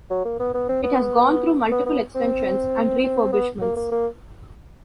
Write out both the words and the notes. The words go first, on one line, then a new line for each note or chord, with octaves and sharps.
It has gone through multiple extensions and refurbishments.
F#3
A#3
B3
B3
C4
B3
B3
B3
C4
B3
A#3
A#3
A#3